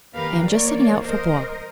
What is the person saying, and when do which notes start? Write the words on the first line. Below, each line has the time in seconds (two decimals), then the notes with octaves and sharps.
I am just setting out for Blois.
0.14 D#2 G4 A#4 B4 F5
0.48 E3 A#3 C#5 D5
1.04 A#4 C5 D#5